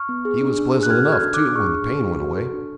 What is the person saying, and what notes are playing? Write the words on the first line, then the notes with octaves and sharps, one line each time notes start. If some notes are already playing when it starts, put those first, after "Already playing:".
He was pleasant enough, too, when the pain went away.
Already playing: C#6 F6
B3
G#4
D4
D4
G#4
F#6
F#4 F6 G#6
A4
F6 G#6
D4
D6 F#6
D4
G#4 C#6 F6
D4
D4
G#4
F#4
A4
D4